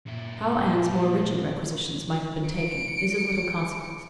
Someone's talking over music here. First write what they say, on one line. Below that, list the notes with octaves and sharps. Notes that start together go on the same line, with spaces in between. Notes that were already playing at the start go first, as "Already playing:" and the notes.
How Anne's more rigid requisitions might have been taken is of little consequence.
A#2 E4
C#7 D7